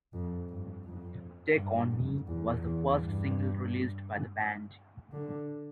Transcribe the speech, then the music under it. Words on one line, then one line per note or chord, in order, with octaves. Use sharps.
"Take On Me" was the first single released by the band.
F2
G2
F2
G2
F2
E2
E2
G2
D3